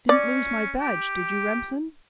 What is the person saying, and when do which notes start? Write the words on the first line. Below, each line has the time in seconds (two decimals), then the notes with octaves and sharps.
Didn't lose my badge, did you, Remsen?
0.09 C#4 D5
0.80 G4